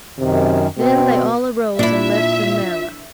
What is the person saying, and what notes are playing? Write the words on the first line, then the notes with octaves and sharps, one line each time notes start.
Then they all arose and left the marah.
F#2 C3 D#3
B2 C4
A#2 D4 E4 F4 E5